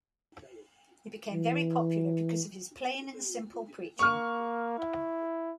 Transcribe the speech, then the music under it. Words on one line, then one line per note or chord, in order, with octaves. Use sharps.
He became very popular because of his plain and simple preaching.
E3
A#3 C#6 F6
E4